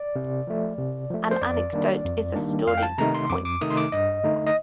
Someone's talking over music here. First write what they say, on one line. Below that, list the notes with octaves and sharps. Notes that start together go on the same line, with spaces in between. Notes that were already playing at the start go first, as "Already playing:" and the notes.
An anecdote is a story with a point.
Already playing: D5
C3
F3 A3
C3
F3 A3
C5
F2 D5
D#3 G3 A#3 D4
F2
D#3 G3 A#3 D4
F2 F5
G5
A5
C3 D#3 A3 D#4 A#5
C6
F2 D6
D6
C3 D#3 A3 D#4 D#6
C6
D6
G2 D#5
D3 A3 D#4
D#5